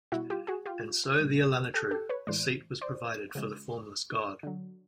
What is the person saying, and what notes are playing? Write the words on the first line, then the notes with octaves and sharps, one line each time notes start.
And so the Elunetru, the seat was provided for the Formless God.
B2 G3 E4 F#4
F4 G4
F#4 G#4
F4 G4
A#2 G3
G4 A4
G4 A4
B4 C#5
A2 E3 G#3 C5 D5
C5 D5
C#3 F3 G#3
D3 F#3